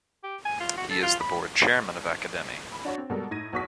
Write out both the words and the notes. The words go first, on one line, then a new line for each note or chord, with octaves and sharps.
He is the board chairman of Academi.
G4
G#5
F4
F#4
A4
F4
B5
B5
D4 F#4 C#5
C4
B2 G3 G#3 A4 A#4
A2 D#4 G#6 A#6 D#7
B1 E2 F#4 C#6 D#6 B6